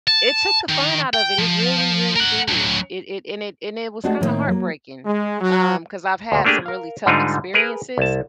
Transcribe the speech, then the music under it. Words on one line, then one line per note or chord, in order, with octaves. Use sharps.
it took the fun out of it, it really, really did. It it and it and it was kinda heartbreaking, um, 'cause I've had some really tough experiences
A5
D#3
G5
F3
A#4 F#5
D2 F#3
G#3 A3 D4 F#4 G#4
A2 D#3 G3 A#3 C4 D#4
F#3 A#3
G#3
F#3
D2 A#2
A3 A#3 D4 G4 G#4
A#4 F5
G#2 D3 G3 D4 D#4 F4
G#4 A#4 B4
C2 A5